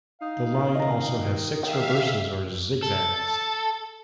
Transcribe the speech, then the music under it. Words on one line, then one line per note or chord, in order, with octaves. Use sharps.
The line also has six reverses or zig-zags.
D#4 F5
D#3 D#5 A#5
E5 F5 G5
A4